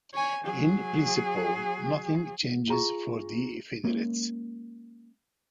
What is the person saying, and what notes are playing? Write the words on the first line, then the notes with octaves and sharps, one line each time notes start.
In principle, nothing changes for the federates.
C#5 G#5
F#3 G#4
F4 G#4 A#5 C#6
G#3 A#3 C#4